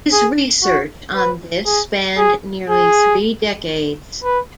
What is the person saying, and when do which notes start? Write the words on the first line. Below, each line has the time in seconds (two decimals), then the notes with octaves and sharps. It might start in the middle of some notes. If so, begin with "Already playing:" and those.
His research on this spanned nearly three decades.
0.13 G#4
0.63 F#4
1.15 B4
1.66 G#4
2.17 G#4
2.70 G#4
4.24 B4